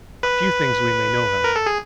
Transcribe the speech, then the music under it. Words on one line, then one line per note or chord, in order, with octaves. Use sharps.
A few things we may know, however.
B4
A#4
A4
G#4